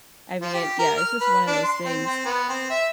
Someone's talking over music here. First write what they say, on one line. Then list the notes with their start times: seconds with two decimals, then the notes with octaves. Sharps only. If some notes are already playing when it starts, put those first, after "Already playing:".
I mean, yeah, it's just one of those things,
0.42 F3
0.54 G4
0.79 A#4
0.97 F6
1.21 B4
1.47 D4
1.64 C6
1.85 C4
2.06 C4
2.25 B3
2.49 C4
2.70 E5